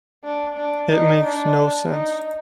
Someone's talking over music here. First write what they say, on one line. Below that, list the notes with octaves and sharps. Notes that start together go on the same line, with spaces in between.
It makes no sense.
D4
D4
D#4
D4
D#4